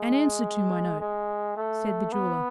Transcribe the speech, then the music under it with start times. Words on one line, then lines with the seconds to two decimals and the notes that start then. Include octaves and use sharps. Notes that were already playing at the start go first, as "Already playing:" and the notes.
"An answer to my note," said the jeweler.
Already playing: G#3
1.01 G#3
1.57 A3
2.12 B3